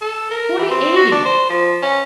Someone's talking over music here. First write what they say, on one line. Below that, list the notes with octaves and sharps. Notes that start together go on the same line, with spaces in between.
"Fully eighty."
A4
A#4
E3
C4
F#4
D4
C5
F3
C#4